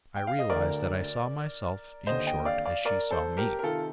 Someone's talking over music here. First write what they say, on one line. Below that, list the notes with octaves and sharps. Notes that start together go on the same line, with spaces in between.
I realized that I saw myself, in short, as she saw me.
G5
F5
D#5
D2 D3 A#4 D5
D#2 D3 C5 D#5
D#5 G5
D5 F5
D5 F5
A#4 D5
A4 C5
G4 A#4
A#4
C3 D#3 F4 A4